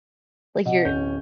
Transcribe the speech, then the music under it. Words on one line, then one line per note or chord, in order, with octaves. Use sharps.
Like, you're
C3 D#5 F#5
D1 C#4 G6